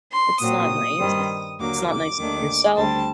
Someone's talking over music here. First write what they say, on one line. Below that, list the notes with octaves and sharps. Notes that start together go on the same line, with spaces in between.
It's not nice. It's not nice to yourself.
C6
A#2 F#3 C4 D#6
G2 D#3 G3 C4
D#2 D3 F#3 A#3 D6
D6
D#2 D#3 A3 D4
D2 D3 G3 C4 A5